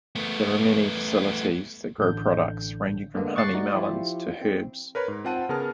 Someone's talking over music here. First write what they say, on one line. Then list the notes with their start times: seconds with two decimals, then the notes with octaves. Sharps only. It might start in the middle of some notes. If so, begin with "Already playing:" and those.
There are many facilities that grow products ranging from honey melons to herbs.
0.15 A3 B3
1.98 A1 D3 G6
3.14 D3 G#3 A#3 B3
3.36 C#6 D6 F#6 A6 C7 C#7
3.53 A3 D#4 F#4 D5
3.74 F3 E4 F4 G4
4.42 C4
4.95 A#4 B4 C#5 B5
5.08 G#2
5.25 C4 F4 F#5 A5 D#7
5.49 C#3 B3 G#4 A#4 A5 F6